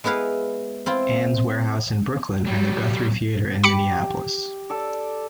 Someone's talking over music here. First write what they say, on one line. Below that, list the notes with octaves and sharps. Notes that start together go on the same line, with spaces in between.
Ann's Warehouse in Brooklyn, and the Guthrie Theater in Minneapolis.
G#3 B3 E4 B4 F5
C4 E4 F4
F#3 G3
G4 B5 D6 C#7
A4 D5